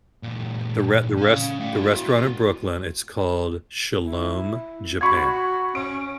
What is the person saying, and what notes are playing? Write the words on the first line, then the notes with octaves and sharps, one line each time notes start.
The the re the res the restaurant in Brooklyn, it's called Shalom Japan.
A#2 E3
C#4 F5
A2 F5
E4 F#4
E4
F#4 B5 C#6 G#6
C#4 D7